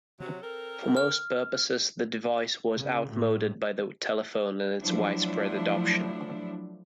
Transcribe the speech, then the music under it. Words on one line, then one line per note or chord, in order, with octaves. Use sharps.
For most purposes, the device was outmoded by the telephone and its widespread adoption.
C3 F#3
C4 A4 A#4
F6
C#3
A2
F3 F#3 A3 D4 E4